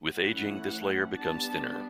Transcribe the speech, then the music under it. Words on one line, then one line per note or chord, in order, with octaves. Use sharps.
With ageing, this layer becomes thinner.
E3 A3 C#4 E4 F#5
G3 B3 D4 A5